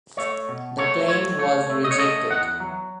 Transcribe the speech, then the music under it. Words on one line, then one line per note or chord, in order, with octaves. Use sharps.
The claim was rejected.
A3 C#5
B2
A3 C#5
A3 C#5
A3 C#5
A3
D#5
C#5
A3 D#5
E2 F#5
F#3